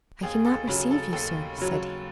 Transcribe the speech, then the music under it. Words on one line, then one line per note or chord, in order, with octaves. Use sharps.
"I cannot receive you, sir," said he.
D#2 G#4
A4
C#3 F#3
A4
D#2 A4
C#3 F#3